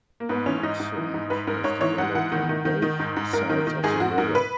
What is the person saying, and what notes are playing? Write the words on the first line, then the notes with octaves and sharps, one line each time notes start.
Hokksund has developed on both sides of the river.
A#3
G#2 B3
E3 C#4
G#2 D#4
G#2
E3
G#2
G#2 B4
G#2 A#4
G#2 C#5
E3 C#5
G#2 F#5
E3 F#5
D#3
D#3
D#3
D#3
G#2
G#2
G#2 A#4
D#3
D#3
G#2 G#4
G#2 F#4
G#2 A#4
B4